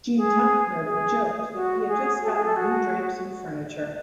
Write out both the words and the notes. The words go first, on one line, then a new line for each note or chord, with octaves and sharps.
Gene Telpner joked that he had just gotten new drapes and furniture.
G#4
G#4
F#4
G#4
A4
F#4
G#4
A4
F#4